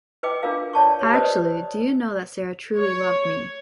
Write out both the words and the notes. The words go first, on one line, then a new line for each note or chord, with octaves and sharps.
Actually, do you know that Sarah truly loved me.
B4 D#5 G5 D6
D4 F4 A#4 F5
C#5 D5 A5 C#6
G4 C#5
B4 C5 D5 D#5 D#6
C#5